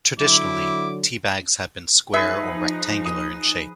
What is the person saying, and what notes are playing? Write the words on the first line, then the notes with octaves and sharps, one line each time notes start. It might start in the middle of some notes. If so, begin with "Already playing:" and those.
Traditionally, tea bags have been square or rectangular in shape.
D3 F#3 E4 D6
F3 D#4 G#4 B4 E5
D#6